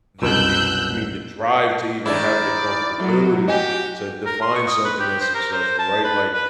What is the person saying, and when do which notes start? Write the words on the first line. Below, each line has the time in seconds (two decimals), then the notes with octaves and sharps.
the the, I mean, the drive to even have the comfortability to define something as successful, right, like,
0.22 C2 F#2 B2 E6 F#6 G6
2.06 D#3 G#3 D4 E4 D5
3.00 F#3 A3 F#4
3.48 F#4 G4 D#5 G#5
4.26 A#4
4.42 C6
4.55 C#6
4.68 D#6
4.85 B4
5.00 G4
5.21 C5
5.35 A#4
5.53 C5
5.79 A5
6.04 B4
6.33 B4